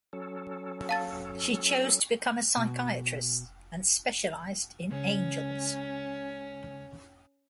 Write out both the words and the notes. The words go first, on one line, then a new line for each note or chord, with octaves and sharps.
She chose to become a psychiatrist, and specialized in angels.
F#3 C#4 A4
F5 A5 A6
B2
C#2 C#3 C#4